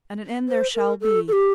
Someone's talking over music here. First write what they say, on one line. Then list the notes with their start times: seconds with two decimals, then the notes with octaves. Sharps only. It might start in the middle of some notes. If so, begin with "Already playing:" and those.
And an end there shall be.
0.49 C5
0.75 A#4
1.01 A4
1.28 A4
1.33 G4